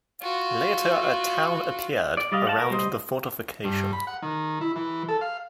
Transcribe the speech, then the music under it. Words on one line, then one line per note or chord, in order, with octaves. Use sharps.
Later a town appeared around the fortification.
F4 F#4
D5
G3 D5 D#5 F5
F5 F#5 A5
A#4
G3 C5 D#5
G2
B5
F#5
D#3
E4
E3
A4
F5